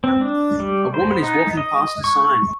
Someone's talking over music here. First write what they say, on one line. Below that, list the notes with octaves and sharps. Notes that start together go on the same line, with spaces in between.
A woman is walking past a sign.
C4
D4
G3
C5
D#4
D#5
C#6